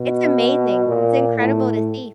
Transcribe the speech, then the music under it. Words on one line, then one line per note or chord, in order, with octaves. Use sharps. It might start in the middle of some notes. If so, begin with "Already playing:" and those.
It's amazing, it's incredible to see.
Already playing: B2
A#2
A2